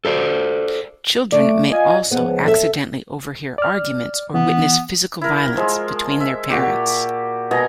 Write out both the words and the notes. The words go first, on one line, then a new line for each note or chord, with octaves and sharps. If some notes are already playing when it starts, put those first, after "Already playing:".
Children may also accidentally overhear arguments or witness physical violence between their parents.
A4 C5 D5
A3 D5
F4 D#5 G#5
C#2 G#2 F3 B3
A4 E5
D5 F6
E3 B3
E4 A#4
F3 G#3
E5
A#2 F#4 G4
B2 D#5 G#5 A#5